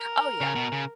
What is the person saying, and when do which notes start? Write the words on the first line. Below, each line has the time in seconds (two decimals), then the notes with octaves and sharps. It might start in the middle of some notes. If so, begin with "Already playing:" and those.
Oh, yeah.
Already playing: A#4
0.41 C#3
0.55 B2
0.72 C#3